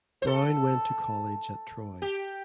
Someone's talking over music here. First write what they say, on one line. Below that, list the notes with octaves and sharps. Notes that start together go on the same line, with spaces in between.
Brown went to college at Troy.
C5
A4
G4